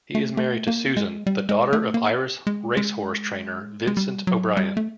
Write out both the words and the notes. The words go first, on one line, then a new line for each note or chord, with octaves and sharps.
He is married to Susan, the daughter of Irish racehorse-trainer Vincent O'Brien.
A3
A3
A#3
G#3
G3
G#3
A3
A#3
G#3
G#3
G#3
G3
F#3
G3
A3